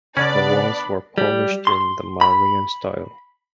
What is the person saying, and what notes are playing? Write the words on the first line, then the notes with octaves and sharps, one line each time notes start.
The walls were polished in the Mauryan style.
C#3 B3 C#4 D4 D5 B5
G3
C6
B5